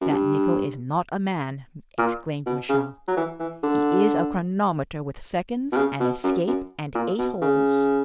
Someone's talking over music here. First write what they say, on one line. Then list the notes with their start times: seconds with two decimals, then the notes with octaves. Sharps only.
"That Nicholl is not a man," exclaimed Michel; "he is a chronometer with seconds, an escape, and eight holes."
0.01 F#2
0.09 G2
1.98 A#2
2.46 B2
2.69 C#3
3.08 F#3
3.17 E3
3.40 E3
3.63 D3
5.72 B2
5.76 C#3
6.00 B2
6.24 F#2
6.47 F#2
6.95 A#2
7.19 B2
7.42 C#3